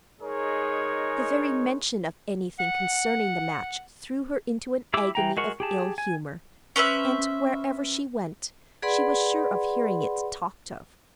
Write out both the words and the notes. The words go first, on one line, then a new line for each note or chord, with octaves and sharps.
The very mention of anything concerning the match threw her into an agony of ill-humour, and wherever she went she was sure of hearing it talked of.
G#3 D#4 G#4 A#4 C#5
F#5
E4 G4 D6 E6
E3 G5 A#5
G#3 F#4 A#4 C#6
G4 G#4 A5
G#5
C#4 B4 C5 E5
G#4 B4 D5 F#5 B5 C6